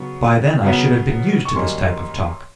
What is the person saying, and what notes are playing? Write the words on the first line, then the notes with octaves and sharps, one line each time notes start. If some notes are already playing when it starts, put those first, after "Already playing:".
By then I should have been used to this type of talk!
Already playing: C#3 F#3 B3 C#6
C#3 F#3 B3
C#6
F#2 D#3 G3 A#3 C#4 C6